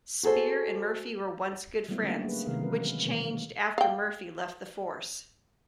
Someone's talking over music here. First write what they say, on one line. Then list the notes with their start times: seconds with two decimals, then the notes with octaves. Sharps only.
Speer and Murphy were once good friends, which changed after Murphy left the force.
0.23 F#4 G#4 A4 C5
1.88 F#3 G3 A3 B3 E4
2.03 D3 A3 A#3 C#4 G4
2.24 A#3 G#4 B4
2.45 C3 D#3 G#3 B3 A#4 F5
2.60 D#3 E3 F#3 C#4 A#4 B4
3.04 B2 D#3 G#3 A#3 B3 A#4
3.78 F5 G5